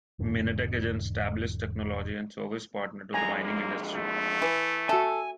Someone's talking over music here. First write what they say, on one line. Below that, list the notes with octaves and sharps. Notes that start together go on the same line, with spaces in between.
Minetec is an established technology and service partner to the mining industry.
E1 G#2 D3
F2 G#3 G#5 A#5
A#3
A3
E3
F#4 A4 E5 G#5